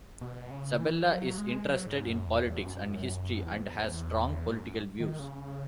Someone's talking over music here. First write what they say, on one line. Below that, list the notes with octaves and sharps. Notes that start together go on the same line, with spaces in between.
Sabella is interested in politics and history and has strong political views.
B2
C#3
E3
F#3
G#3
F#3
G#2
F#2
E2
E2
F#2
E2
G#2
F#2
D#3
C#3